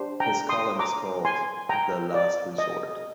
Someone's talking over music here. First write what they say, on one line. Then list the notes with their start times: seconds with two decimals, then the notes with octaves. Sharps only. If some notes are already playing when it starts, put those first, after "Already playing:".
His column is called "The Last Resort".
Already playing: D4 G4 C5
0.20 G5 A#5
0.49 C6 D#6
0.79 A#5 D6
1.25 G#5 C6
1.69 G5 A#5
2.14 D5
2.58 D#5